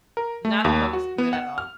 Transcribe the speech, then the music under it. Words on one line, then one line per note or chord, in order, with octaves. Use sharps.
Not opposed to it at all.
A#4
A3
D#2
F#4
B3
F#5
F6